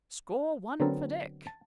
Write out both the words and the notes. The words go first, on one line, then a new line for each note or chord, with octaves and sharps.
Score one for Dick.
D3 F#3 B3 C4 A4 A#4
A5